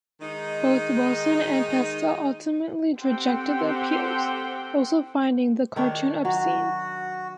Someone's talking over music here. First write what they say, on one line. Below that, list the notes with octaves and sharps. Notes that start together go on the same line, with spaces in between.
Both Wilson and Pastel ultimately rejected the appeals, also finding the cartoon obscene.
D#3 G#3 D#4
C4 G4 A4 C5 F#5 G5
D#3 D4 C#5
F#3 F#4